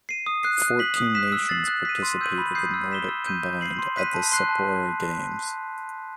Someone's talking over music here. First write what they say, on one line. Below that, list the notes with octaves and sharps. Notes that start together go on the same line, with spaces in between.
Fourteen nations participated in nordic combined at the Sapporo Games.
C7 D#7
D#6
F#6 C7
F#6
B6 F#7
D#6
F#6 B6 E7
E6
A6 C7 F#7
F#6
B6 D#7
C6
E6 G6 D#7 F#7
B5
D#6 G6 C7
E6
B6 E7 G7
E6
G6 D#7
G6
C7 F#7
C6
F#6 B6 D#7
A5
C6 F#6 C7
A5